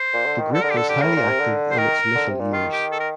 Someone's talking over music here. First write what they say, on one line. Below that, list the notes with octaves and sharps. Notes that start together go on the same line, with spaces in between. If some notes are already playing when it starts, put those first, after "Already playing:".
The group was highly active in its initial years.
Already playing: C5
A#2
D3
D#3
D3 A4
D3 A#4
G4
A4
G4
A2 A#4
A#2
C3
D3
C5
D#3 A#4
D3
C3
A#2
D#3 F4
G4
A4
A#4